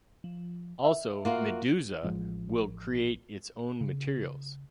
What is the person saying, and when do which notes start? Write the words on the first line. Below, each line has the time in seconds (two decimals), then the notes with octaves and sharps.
Also, "Meduza" will create its own materials.
0.24 F3
0.84 E5
1.25 A#3 F4 F#4
2.03 A1 F3 G#3
3.81 C#3